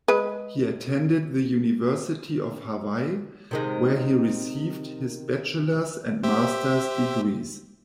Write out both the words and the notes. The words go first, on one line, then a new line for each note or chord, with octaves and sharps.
He attended the University of Hawaii, where he received his bachelor's and master's degrees.
G#3 B4
C3 D#3 G#3
G4 C5 E5